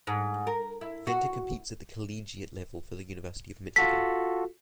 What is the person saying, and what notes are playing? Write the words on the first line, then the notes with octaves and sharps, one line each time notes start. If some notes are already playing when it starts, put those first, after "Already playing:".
Venter competes at the collegiate level for the University of Michigan.
G#2
A#4
E4
F#4
F4 F#4 A4 B6